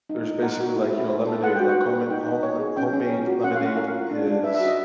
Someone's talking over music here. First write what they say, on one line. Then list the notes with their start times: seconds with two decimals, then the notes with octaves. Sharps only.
there's basically, like, you know, lemonade, like home me home le homemade lemonade is
0.09 D#4
0.27 D#4
0.42 A#4 F#5
0.60 F#4
0.76 E4
0.93 E4
1.10 C5
1.27 A4
1.43 B4 F#5
1.56 F#4 G5
1.69 F#5
1.76 F#4
1.93 B4
2.10 D#4 G5
2.27 D#4
2.43 C#5
2.59 G#4
2.77 C#4 G5
2.93 C#4
3.10 A#4
3.27 F#4
3.44 C#4 F#5
3.55 F5
3.60 C#4
3.65 F#5
3.77 A#4 F5
3.94 F4
4.11 D4
4.27 D4
4.43 B4 E5
4.54 E5
4.60 F#4
4.67 D#5